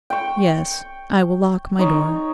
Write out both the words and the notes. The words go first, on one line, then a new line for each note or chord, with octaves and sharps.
'Yes, I will lock my door.'
G5 C#6
D#4 C#5